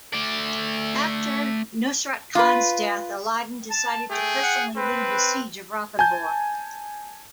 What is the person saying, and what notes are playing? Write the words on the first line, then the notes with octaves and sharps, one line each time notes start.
After Nusrat Khan's death, Alauddin decided to personally lead the siege of Ranthambore.
A3 D5
F4 B4
A5
A3 G#4 G5
F#5
C4 B4
G#5 A5 G6